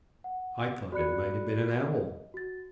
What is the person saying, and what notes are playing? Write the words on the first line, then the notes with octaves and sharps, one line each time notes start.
I thought it might have been an owl.
F#5
F#4 D5 B5 F#6 C#7
D#5
F#4 A6